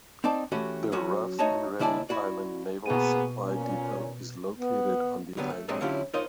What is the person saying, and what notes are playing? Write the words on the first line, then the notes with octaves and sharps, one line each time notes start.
The Rough and Ready Island Naval Supply Depot is located on the island.
C4 D#4 D5 A5
E3 A3 C#4 F#4 G4
F#3 C#4 F#4
A3 D#4 F#4 C#5 D#5 A5
D#2 C#3 E4 D5 G#5 A5
E4 F#4 D5
B2 A#3 B3 G#4 D#7
A#2 C#4
B3
D3 F#3 G3 B3
A3
A2 C3 F#3 G#3 A3 D4
D3 F#3 C#4 E4 F4 G4
D#4 F4 A#4 C5 C#5 D#5